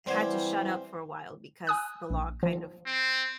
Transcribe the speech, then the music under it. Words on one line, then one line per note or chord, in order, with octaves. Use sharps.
had to shut up for a while, because the law kind of
E3 G3 C4 G4 C5 D5 F#5 G#6
G#5 D#6 F#6
A#1
F3
C4